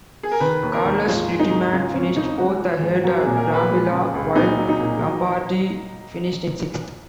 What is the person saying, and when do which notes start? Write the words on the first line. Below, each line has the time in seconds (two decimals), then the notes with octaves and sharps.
Carlos Reutemann finished fourth ahead of Brambilla, while Lombardi finished in sixth.
0.23 G#4
0.32 A#4
0.40 D#3 B4
0.63 D#2
0.73 A#4
0.85 D#2
1.06 G#2 F4
1.28 G#3
1.39 D#4
1.50 G#2
1.72 C#3 F4
1.94 F2 C#4
2.16 F2 D#4
2.38 G#3 F#4
2.59 F3
2.82 G#2
3.04 F#3 F#4
3.21 G#4
3.26 A#2
3.37 A#4
3.48 A#2
3.54 B4
3.70 G#3
3.92 C#3
4.14 C#2
4.35 A#2 D#4
4.57 F#3
4.69 D#4
4.79 A#2
5.01 F#3